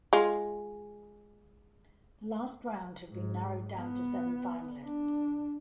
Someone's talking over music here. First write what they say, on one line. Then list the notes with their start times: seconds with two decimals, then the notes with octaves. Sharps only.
The last round had been narrowed down to seven finalists.
0.13 G#3 F4
3.09 G#2
3.78 B3
4.83 D4